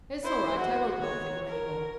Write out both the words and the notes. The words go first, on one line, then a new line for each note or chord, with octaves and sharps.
It's all right; I won't laugh at you any more.
E4 C5
F#4
C#5
A#4